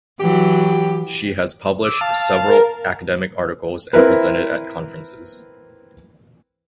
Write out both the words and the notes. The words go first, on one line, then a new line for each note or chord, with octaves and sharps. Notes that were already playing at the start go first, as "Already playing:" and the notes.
She has published several academic articles and presented at conferences.
E3 F#3 G4
D6 E6
F5 A5
A#4
C4 E4 A#4 B4